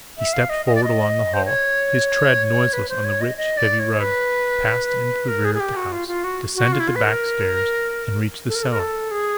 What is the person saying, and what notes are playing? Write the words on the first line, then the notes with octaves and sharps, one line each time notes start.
He stepped forward along the hall, his tread noiseless on the rich, heavy rug, passed into the rear of the house, descended the back stairs, and reached the cellar.
E5
F5
D#5
D#5
D5
D#5
C5
C#5
B4
C5
C#5
D#5
D#5
D5
C#5
B4
A#4
G#4
G#4
G4
F#4
F4
F4
F#4
F#4
F4
E4
F4
B4
A#4
A4
A#4
A4
A#4
A4
G#4